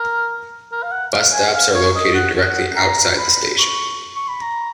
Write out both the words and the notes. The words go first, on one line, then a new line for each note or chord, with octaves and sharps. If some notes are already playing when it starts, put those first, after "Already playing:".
Bus stops are located directly outside the station.
Already playing: A#4
A#4
F5
F#5
F5
G#5
F5
C#5
D#5
F#5
F#5
A#5
B5
C#6
C#6
B5
A#5